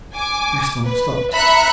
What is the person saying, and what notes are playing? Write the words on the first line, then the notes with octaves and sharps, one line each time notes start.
Gaston stopped.
G#5 D6
B4
E5 A#5 B5 F#6 C#7